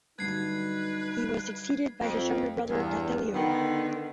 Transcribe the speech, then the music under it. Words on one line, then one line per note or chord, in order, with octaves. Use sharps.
He was succeeded by his younger brother Gothelo.
G2 D3 F#3 D#4 B4 G#6 C7
F2
E2 G2
D3 D#3 B3